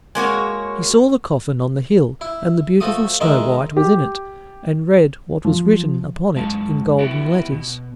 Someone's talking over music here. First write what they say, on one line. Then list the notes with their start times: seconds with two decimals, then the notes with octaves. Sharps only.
He saw the coffin on the hill, and the beautiful Snow-white within it, and read what was written upon it in golden letters.
0.15 G#3 A#3 F#4 C#5
2.21 E4
2.80 F3 A3 F#4 D#6
3.21 D#3 G#3 D#5 E5
3.77 G4
5.45 F3
6.36 F#2 G#3 F#4 F5 A5
6.99 B3 E4 F#4 G4
7.52 B2